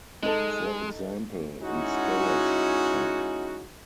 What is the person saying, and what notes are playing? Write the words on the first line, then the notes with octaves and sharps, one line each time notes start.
For example, in Storage Tech.
G#3 D#4 A4
G#3 C#4 D#4 E4 F#4